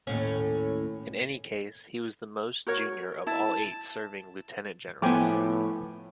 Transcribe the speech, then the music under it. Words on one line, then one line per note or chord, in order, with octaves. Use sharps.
In any case, he was the most junior of all eight serving lieutenant-generals.
D#2 A2 C#4
F#4 A#4 C#5
E4 A5
A2 F3 B3 G5 G#5 D6